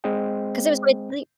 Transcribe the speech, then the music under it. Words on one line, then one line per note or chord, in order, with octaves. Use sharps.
'cause it was quite le
G#3 C4 G#4 C5 D#5 G5